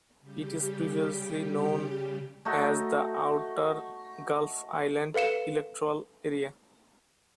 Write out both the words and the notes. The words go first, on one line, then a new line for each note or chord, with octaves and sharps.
It is previously known as the Outer Gulf Islands Electoral Area.
C#3 G3 G4
A3 D#4 F#4
A4 B4 F5 C#7 E7